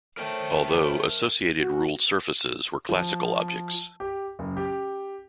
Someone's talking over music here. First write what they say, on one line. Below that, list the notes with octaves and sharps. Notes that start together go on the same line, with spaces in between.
Although, associated ruled surfaces were classical objects.
A3 A4 A#4 C5 C#5 G5
F#4
F3
G4
F#1
G4